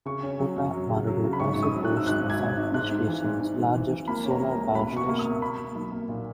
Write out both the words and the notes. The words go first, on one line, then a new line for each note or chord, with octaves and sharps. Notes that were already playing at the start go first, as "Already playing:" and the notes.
Kota Marudu also boasts Southeast Asia's largest solar power station.
C#3 C#6
C#4
F#3
F#2
F#3
C#3
F#3
C#3
B5
G#1 C#6
G#1 C#6
D#6
F#3
F#6
G#2
E6
G#1 F#6
G#1
G#6
G#1
G#1
G#2 F#6
G#2
E3
G#2
G#2
G#2
E3
E3
A#3 B5
C#4
A#5
A#3
A#5
C#2
C#2 B5
B2 C#6
A#3
D#6
A#3
A#3 B5
A#3
B1
A#3
A#2